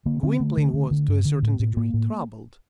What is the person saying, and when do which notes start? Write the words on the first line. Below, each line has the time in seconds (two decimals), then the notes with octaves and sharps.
Gwynplaine was, to a certain degree, troubled.
0.06 D3 A#3
0.23 D3 C4
0.40 D3 A3
0.57 D3
0.74 D3
0.91 D3
1.08 G2
1.25 D3
1.42 A2
1.59 A2
1.76 A2 A#3
1.94 A2